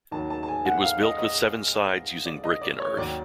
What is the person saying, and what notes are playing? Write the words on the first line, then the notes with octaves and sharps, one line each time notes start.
It was built with seven sides using brick and earth.
D#2 D#3 F#3 A5
A5
A5
G#5
F#5
F5
D#5
D#5
D5
D#5
D5
C#5
D#2 D#3 F#3 D5